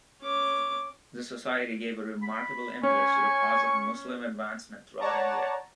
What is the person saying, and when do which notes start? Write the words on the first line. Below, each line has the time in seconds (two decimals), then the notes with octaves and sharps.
The Society gave a remarkable impetus to the cause of Muslim advancement throughout India.
0.21 C#4 D6
2.22 B5
2.83 C#4 G#5 C#6
5.00 C#5 D5 F#5 A5 A#5